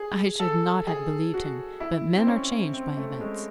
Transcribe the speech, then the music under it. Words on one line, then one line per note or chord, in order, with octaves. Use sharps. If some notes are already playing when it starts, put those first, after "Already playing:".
"I should not have believed him; but men are changed by events."
Already playing: G#4
A4
G#4
F#4
E4
C4
C#4
C4
A3
G#3